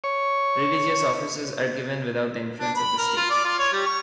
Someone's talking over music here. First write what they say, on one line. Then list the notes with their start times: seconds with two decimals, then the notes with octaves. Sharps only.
Religious offices are given without the influence of the state.
0.04 C#5
2.61 D4
2.77 B5
2.98 A#4
3.17 F4
3.30 D5
3.45 F4
3.59 C#5
3.73 G3
3.86 C#6